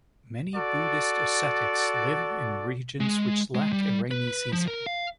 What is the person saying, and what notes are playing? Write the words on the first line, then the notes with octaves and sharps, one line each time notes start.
Many Buddhist ascetics live in regions which lack a rainy season.
F#4 A4 D5
G#3
G#3
G3
B4
F3
A#4
F5